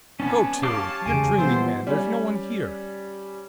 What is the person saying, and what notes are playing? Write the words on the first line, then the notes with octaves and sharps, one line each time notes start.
'Go to!--you're dreaming, man!--there's no one here.'
B3 C#4 D4 A5
C#4 G4 F5 A5 D6
E2 C#3 G#3 G#5 D7
E3 F3 G3 B3 C5
G3 C#4